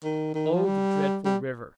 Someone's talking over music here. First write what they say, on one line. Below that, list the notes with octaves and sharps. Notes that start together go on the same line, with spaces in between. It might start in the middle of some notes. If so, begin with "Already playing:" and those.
Oh, the dreadful river!'
D#3
D#3
F3
G3
G3